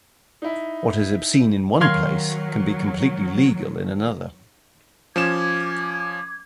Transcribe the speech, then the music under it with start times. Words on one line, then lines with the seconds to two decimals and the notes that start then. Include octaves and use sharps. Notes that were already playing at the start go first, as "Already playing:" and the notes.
What is obscene in one place can be completely legal in another.
0.42 D#4 E4
1.81 D#3 F#3 A#4 F5 C6 F6 G#6
5.16 F3 C#4 D6 G#6 E7